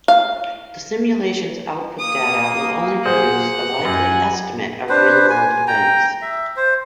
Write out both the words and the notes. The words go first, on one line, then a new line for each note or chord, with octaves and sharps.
The simulation's output data will only produce a likely "estimate" of real-world events.
F5
A#3 D#6
G#4 C5 F#5
F#2 G#5
D4 B4 C5
G#5
G5 A#5
E5
C5